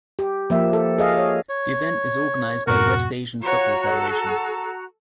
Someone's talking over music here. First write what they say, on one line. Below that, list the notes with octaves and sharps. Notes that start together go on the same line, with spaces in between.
The event is organized by West Asian Football Federation.
G4
F3 A#3 E5
A4
G#4 D#5 F5
C#5
C#5
F2 G#2 B2 F#4 A#4
F4 F#4 C#5 A#5
A4